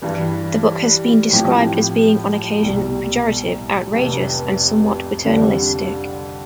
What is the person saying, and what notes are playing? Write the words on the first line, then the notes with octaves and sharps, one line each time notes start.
The book has been described as being on occasion pejorative, outrageous, and somewhat paternalistic.
G2 E3 G3
A2 F3 C4 E4 G4
C2 B2 G3
F1 F2 C3
F2 D3 G3